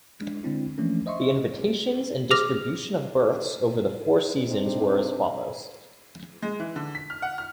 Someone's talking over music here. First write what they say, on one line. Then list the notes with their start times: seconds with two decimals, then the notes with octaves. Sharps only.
The invitations and distribution of berths over the four seasons were as follows.
0.21 G#3 D4
0.43 D3 G#3 C4 D4 E4
0.78 E3 F3 A3 A#3 C#4 D4
1.06 C5 D#5 E5 C6 C#6
2.31 G#4 D6 F6 A#6 F7
4.47 C3 C4 D4 D#4 A4 C5
6.43 G#3
6.60 E3
6.76 D3
6.95 B6
7.10 F6
7.22 F#5
7.38 F6